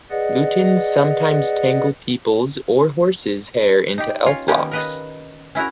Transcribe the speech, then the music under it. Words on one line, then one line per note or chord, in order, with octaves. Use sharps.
Lutins sometimes tangle people's or horses' hair into elf-locks.
G#4 B4 D5 D#5 F#5
D#4 G4
C#4 F4 C#5
D#3 A#3 B3 C#4 G4
A#4 B4 D#5
C#4 E4 F#4 A#4